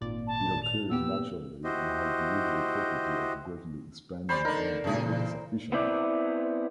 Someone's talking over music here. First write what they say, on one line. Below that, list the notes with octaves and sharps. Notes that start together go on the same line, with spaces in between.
It occurs naturally and has the unusual property of greatly expanding when heated sufficiently.
G#1 A#2 D5
A5
F7
A#2 B3 G4 E6
E4 F#4 G4 C5 D#5
G3 C#4 C5 D5 B5
D3 D4 D#4 A#4
F#2 A#2 C#3 G#4
E2
B3 C4 E4 D5